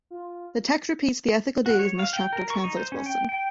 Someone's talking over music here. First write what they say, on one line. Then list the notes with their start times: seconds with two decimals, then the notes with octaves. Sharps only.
The text repeats the ethical duties in this chapter, translates Wilson.
0.10 F4
1.66 F#4
1.79 C#5
1.99 F5
2.13 G5
2.33 A#4
2.50 C#6
2.64 D#4
2.77 C5
2.92 C#4
3.06 G5
3.29 G5